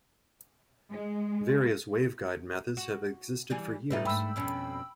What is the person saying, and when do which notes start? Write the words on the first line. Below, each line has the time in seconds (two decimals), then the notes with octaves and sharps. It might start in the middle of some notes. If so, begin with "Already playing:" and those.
Various waveguide methods have existed for years.
0.89 G#3
2.77 F#4
3.50 E3 G3 G#4
3.90 A2 G3 D#4 B4 E5
4.05 G#2 A3 G5 B5 E6
4.36 F2 B2 C#4